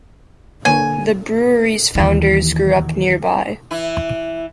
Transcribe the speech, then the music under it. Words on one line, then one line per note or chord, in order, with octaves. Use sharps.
The brewery's founders grew up nearby.
D3 A#3 C#5 G#5
D#2 E3
E3 E4